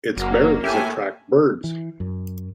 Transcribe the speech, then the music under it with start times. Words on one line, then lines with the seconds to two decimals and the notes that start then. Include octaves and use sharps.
Its berries attract birds.
0.17 F#1 F#3 A#3
0.64 A2 G4 E5 G#5
1.64 E3
2.00 F#2